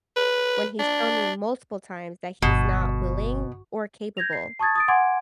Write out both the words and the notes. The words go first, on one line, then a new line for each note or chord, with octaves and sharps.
when he's shown me multiple times that he's not willing or capable
B4
D4
G1 B2
G6 G#6 A#6 F7
C7
A5 C#6 D#6 G#6 A6
D#6 A6 D7
F#5 G#5 C6 D6 G#6 D7